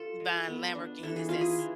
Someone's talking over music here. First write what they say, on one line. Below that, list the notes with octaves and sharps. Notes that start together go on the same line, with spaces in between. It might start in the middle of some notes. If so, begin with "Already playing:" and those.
buying Lamborghinis that's
Already playing: F4 A4
G#3
B3
D4
E3 A4
G#4
E4 F4
G#4
E3